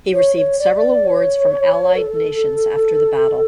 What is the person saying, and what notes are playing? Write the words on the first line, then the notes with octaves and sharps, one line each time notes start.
He received several awards from allied nations after the battle.
C#5
C#5
D5
D5
D5
C#5
A4